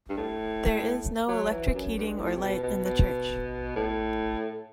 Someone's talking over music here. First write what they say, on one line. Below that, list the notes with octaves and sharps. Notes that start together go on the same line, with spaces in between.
There is no electric heating or light in the church.
G2
A2
F#3
E3
F#2
G2
A2
C3
B2
B2
B2
A2